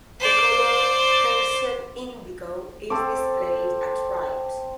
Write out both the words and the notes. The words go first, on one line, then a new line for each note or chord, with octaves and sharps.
The color Persian indigo is displayed at right.
C5 D5
C4 A4 D6